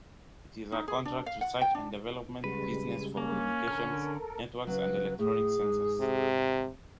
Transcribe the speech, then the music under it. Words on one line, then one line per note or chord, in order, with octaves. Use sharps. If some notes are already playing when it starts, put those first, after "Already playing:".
It is a contract research and development business for communications, networks, and electronic sensors.
D#4
G#4
D4
F5
F#5
G5
D4
C#3 G3 G#3 B4
A#3 C#4
D3 A4 A#4 F6
C#3 F#3 B4
A2 G#4
G#2
C3